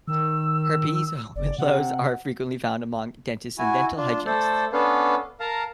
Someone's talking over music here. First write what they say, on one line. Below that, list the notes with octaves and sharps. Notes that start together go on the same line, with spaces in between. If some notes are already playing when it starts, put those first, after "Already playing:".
Herpes whitlows are frequently found among dentists and dental hygienists.
D#3 E6
F#1 D5
C3 F#5
E4 F#4 G#5
D4 F4
A3 A4 C5 D5
B3 C#4 D4 A4 B4 F5
A#4 F5 A5 A#5